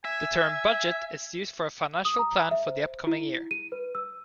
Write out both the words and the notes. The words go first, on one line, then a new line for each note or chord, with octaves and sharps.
The term "budget" is used for a financial plan for the upcoming year.
E5 G#5
D#6
A#5
E5
C5
E4
D#7
B4
E6